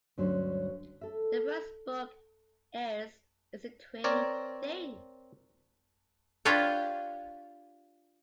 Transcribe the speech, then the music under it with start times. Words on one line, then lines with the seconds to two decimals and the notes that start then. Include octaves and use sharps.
The first book is "It's a Twin Thing".
0.18 D2 G2 F#3 G3 C#4 C5
1.01 A4 E5
4.04 C4 A#4 C#5 D5
6.45 D4 F4 G4 B4 C#5 G5